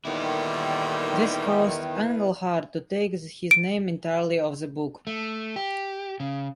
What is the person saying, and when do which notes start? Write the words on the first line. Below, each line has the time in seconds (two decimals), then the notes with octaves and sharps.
This caused Englehart to take his name entirely off the book.
0.05 A#2 D3 D#3 G3 B3 E4
3.51 D7
5.07 A3
5.56 G4
6.20 C#3